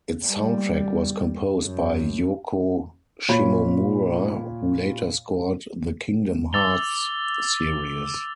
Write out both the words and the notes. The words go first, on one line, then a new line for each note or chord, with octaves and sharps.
Its soundtrack was composed by Yoko Shimomura who later scored the "Kingdom Hearts" series.
G3
F#2
A#2 C#5 B5
D6 E6 A6 F7 G7